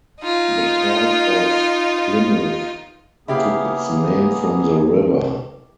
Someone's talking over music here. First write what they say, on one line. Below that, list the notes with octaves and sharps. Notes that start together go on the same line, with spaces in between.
The port of Plymouth took its name from the river.
D#4 F4
C#3 A#3 B3 E4 G4 G#4 F5